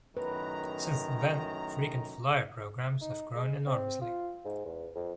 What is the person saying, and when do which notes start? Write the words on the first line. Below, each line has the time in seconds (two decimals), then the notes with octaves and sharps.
Since then, frequent-flyer programs have grown enormously.
0.17 F#2 A2 D#3 B4 A#5
3.01 D#4
3.35 G#3
3.67 C4
4.01 F4
4.45 G#2
4.65 E2
4.95 F2